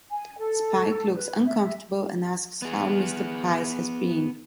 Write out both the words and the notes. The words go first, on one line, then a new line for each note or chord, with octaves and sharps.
Spike looks uncomfortable and asks how Mr. Pryce has been.
G#5
A4
B4
E5
B3 G#4